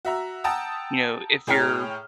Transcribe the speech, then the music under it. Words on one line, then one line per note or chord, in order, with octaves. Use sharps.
you know, if you're,
F#4 E5 A#5
F#5 G5 A5 A#5 D#6 E6
A2 G#4 C#5 G5 A#5 F6